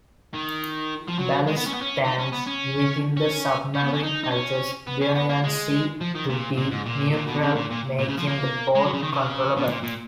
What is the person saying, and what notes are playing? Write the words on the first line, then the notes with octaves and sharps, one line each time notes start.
Ballast tanks within the submarine adjust buoyancy to be neutral, making the boat controllable.
D#3
F3
F#3
G#3
B3
C#4
B3
C#4
D#4
C#4
B3
C#4
C#4
C#4
B3
C#4
D#4
D#4
C#4
B3
C#4
B3
A#3
G#3
F3
D#3
A#2
A#2
G#2
A#2
A#2
B2
C#3
A#2
A#2
A#2
C#3
F3
A#3
G#3
F#3
C#3
D#3
C#3
B2
A#2
A#2